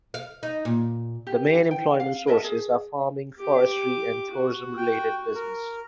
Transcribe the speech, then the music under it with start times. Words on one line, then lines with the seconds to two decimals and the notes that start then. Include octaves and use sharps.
The main employment sources are farming, forestry and tourism-related business.
0.14 F5
0.43 D#4
0.65 A#2
1.27 G4
1.71 G5
2.00 F5
2.27 A#4 D#5 E5 A5
2.44 G#4
3.38 G4 D6
4.32 F#4
4.77 G5
5.35 A#4